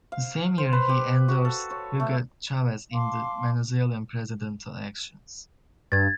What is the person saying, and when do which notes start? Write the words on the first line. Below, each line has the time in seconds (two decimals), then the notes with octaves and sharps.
The same year he endorsed Hugo Chavez in the Venezuelan presidential elections.
0.12 F5
0.58 C5
0.73 B4
0.89 G4
1.28 F#4
1.45 A4
1.70 C#5
2.00 A3
2.93 F5 A5 C6 D6
5.92 G2 G#6 A6